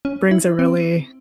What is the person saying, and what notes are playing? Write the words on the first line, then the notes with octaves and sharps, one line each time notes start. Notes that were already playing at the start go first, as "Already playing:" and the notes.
brings a really,
C#4
E4
C4